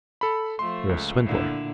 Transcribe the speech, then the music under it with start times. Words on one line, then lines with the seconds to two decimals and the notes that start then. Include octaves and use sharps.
"You're a swindler!"
0.21 A4 B5
0.59 F3 A3 C6
0.89 C#2
1.26 A#2 D3 E4